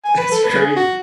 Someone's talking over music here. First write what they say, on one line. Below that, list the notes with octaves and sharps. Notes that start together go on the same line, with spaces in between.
That's crazy.
G#5
B4
A4
B4
G#4
F#4